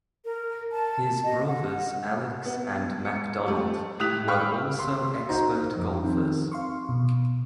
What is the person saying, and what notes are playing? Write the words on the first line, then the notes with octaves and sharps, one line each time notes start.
His brothers Alex and Macdonald were also expert golfers.
A#4
A5
D#5
F#5
B3
C#7
A3 G4
A2 G4 D#6 F#6 B6 F7
F5 G5 B5 C#6 E6 F6
C6
D#4 F#4 C5 A#5
F2
D#3 C4
F5 C6 C#6
B2